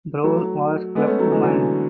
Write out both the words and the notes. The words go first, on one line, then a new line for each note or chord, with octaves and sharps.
Brown was clubwoman.
F#3 A3
G#3 B3
A3 C#4
F#3 A3
E3 G#3
D3 F#3